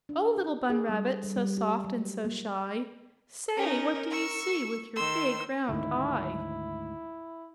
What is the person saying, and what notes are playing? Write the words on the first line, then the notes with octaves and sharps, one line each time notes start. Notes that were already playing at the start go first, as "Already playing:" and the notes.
"Oh, Little Bun Rabbit, so soft and so shy, Say, what do you see with your big, round eye?"
D4
G4
G#4
G3
A4
G3
G3
G4
F#3
A#3
C#4 D#4 A#4
C#6 E6
D#3 C6 E6
D2 G#2 D#3 E4